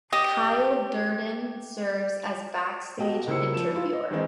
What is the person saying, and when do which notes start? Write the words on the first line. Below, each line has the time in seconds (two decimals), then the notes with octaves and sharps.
Kyle Durden serves as backstage interviewer.
0.12 G4 D#5 D#6
2.98 B1 B2 G4 D#5
3.27 C#2 A#3 E4 C5 E6 C#7
3.54 F3 E7
3.74 E4 F4
3.93 D#5
4.11 D#3 E3 G#3 C4 D#4